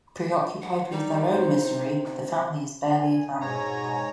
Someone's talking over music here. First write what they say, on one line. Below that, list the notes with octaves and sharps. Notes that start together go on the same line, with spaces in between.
Preoccupied with their own misery, the family is barely a family anymore.
F#5
G3 D#4
C3 C5
G#5
G#2 C#5 G#5 A#5